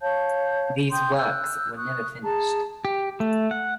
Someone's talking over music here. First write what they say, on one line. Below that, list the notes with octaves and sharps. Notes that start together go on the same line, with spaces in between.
These works were never finished.
C#5 F5 A5 G6
G5 C6 D#6 G6
E6 F#6 G6
C#6 D#6 F#6
G#4 A5 A#5
G4
A3
F#5